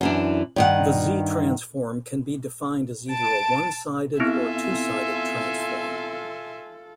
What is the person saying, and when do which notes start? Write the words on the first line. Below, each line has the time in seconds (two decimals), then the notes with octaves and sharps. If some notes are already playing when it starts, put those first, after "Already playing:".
The Z-transform can be defined as either a "one-sided" or "two-sided" transform.
0.01 F#2 E3 D4
0.56 G2 D#3 F#5
3.11 A5 D7
4.20 B3 C4 E4 F4 A4 E5 G#5 C6